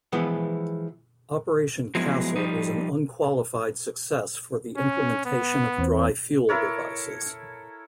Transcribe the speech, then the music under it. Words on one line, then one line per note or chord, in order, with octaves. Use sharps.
"Operation Castle" was an unqualified success for the implementation of dry fuel devices.
E3 F3 G#3 B3
F3 F#3 G#3 B3 E4
F3 G3 D#4
C#4
B3
E2 C4
E4 A4 A#4 C#5